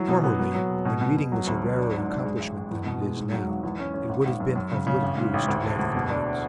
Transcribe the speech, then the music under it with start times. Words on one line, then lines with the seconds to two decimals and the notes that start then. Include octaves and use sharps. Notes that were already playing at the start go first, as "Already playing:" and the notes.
Formerly, when reading was a rarer accomplishment than it is now, it would have been of little use to write the words.
Already playing: E3 F#3
0.08 B2
0.24 B3
0.39 F#3
0.54 F#3
0.70 E1
0.85 B2
1.01 B2
1.17 B2
1.32 F#3
1.47 D2
1.62 F#3
1.78 D4
1.94 G#2
2.09 D4
2.24 G#3
2.40 A1
2.55 A1
2.71 E2
2.86 B2
3.01 G#3
3.17 G#2
3.32 F#3
3.48 G#1
3.63 E2
3.79 C#4
3.94 C#4
4.09 G#1
4.25 G#1
4.40 F#2
4.56 F#2
4.71 C#3
4.87 C#3
5.02 A1
5.17 G#2
5.34 A1
5.48 D2
5.64 E1
5.79 D2
5.95 B2
6.10 D4